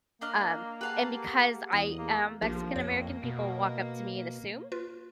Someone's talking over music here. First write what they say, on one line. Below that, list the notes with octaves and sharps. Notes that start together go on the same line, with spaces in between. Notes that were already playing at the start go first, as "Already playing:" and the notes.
um, and because I am Mexican-American, people walk up to me and assume
A#3 D4 D#5 F6
G4 G#4 B4 F5 F#5 A5
E2 D#5
A#3
A#1 F3 A#3 D4 G4
F2 C#5 C#7
B2
F4 B4